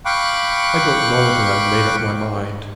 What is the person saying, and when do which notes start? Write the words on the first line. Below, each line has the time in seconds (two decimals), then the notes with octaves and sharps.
I don't know that I've made up my mind.
0.06 F5 G5 B5 C#6 D6 F#6